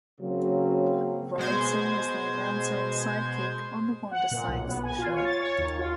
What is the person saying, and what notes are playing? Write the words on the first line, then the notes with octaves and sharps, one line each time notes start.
Robinson was the announcer and sidekick on "The Wanda Sykes Show".
C#3 F#3 A#3 C4
B2 G#3 C5 G#6
F#5
A#2
B1
B3
G#5
F4
C#5
A6
C#5
D#2
F4